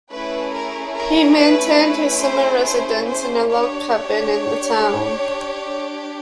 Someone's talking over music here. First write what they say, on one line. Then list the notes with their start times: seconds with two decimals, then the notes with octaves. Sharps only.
He maintained his summer residence in a log cabin in the town.
0.10 A3 C#4 E4 G#4 B4
0.53 A#4
0.95 A#4
1.37 B4
1.79 B4
2.22 C5
2.64 C5
3.06 C5
3.48 D4 G4 C#5